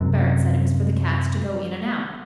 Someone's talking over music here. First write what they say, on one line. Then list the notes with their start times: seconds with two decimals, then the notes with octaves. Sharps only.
Barrett said it was for the Cats to go in and out.
0.01 F#2 C3